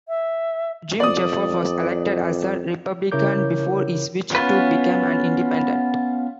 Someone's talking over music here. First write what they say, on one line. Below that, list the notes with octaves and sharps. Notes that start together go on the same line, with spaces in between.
Jim Jeffords was elected as a Republican before he switched to become an Independent.
E5
F2 D5 D#6
C#3 E4 A#4 C#5 D6 G6
B3 C#4 F4 B4